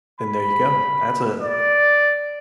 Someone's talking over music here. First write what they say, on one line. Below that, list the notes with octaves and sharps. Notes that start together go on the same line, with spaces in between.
then there you go. That's a
B5
D5